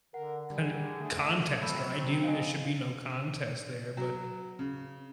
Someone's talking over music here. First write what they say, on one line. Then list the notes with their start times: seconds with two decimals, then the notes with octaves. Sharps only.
con contest, or ideally there should be no contest there, but,
0.14 D3 A#4 F#5
0.50 D3 G3 G#4
1.01 A3
1.62 F#3 C4 B5 E6 G6
2.23 D#5 F5 G#5
3.97 F#3
4.59 C#3